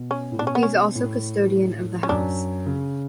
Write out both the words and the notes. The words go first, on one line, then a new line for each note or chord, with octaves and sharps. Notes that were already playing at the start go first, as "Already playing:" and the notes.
He is also custodian of the house.
Already playing: B2
C#4
A2
B2 D4
C#4
B3
C#4
A2
C#4
F#2 D4
C#3